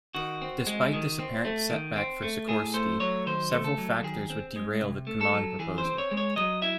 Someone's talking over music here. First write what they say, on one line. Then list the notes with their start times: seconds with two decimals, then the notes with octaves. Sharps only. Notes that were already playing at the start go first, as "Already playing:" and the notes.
Despite this apparent setback for Sikorsky, several factors would derail the Kaman proposal.
0.15 D#3 F#4
0.42 C4
0.67 G#3
0.93 D#3
1.19 C4
1.45 A3
1.70 D#3
1.96 C4
2.22 A3
2.48 A2 G#4
2.74 A3 C5
3.00 F#3 C#5
3.26 D#3 C5
3.51 A3
3.64 A4
3.78 F#3
4.03 D#3 G#4
4.30 C4
4.56 G#3
4.81 C3
5.07 A3
5.21 A4
5.33 F#3
5.59 E3 G#4
5.78 C5
5.85 C4
5.98 C#5
6.11 G#3
6.17 C#5
6.36 F#3 D#5
6.62 E4 E5